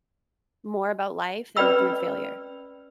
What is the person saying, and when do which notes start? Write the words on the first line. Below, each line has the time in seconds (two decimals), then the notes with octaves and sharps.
more about life than through failure.
1.57 C#4 B4 D5 G5 B5 E6